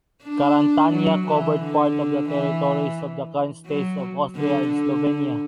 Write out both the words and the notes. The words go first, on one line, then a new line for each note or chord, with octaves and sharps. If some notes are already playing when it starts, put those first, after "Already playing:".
Carantania covered part of the territories of the current states of Austria and Slovenia.
D4
F#3
E3
D3
E3
F#3
D3
D3